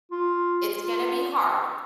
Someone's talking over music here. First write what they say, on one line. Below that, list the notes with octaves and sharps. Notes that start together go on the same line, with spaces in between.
It's gonna be hard.
F4
F4